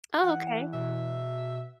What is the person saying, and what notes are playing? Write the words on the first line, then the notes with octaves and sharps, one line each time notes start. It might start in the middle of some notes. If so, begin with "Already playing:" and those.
Oh, okay.
E3 F#5
B2 E5